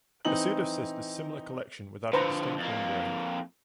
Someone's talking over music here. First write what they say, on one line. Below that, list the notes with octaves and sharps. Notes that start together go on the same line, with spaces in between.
A pseudocyst is similar collection without a distinct membrane.
E3 C4 D#4 F#7
D3 F3 B4 C5 A#5
F2 A#3